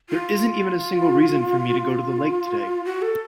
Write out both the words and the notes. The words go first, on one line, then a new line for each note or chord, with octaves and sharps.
There isn't even a single reason for me to go to the lake today.
F4
F#4
A4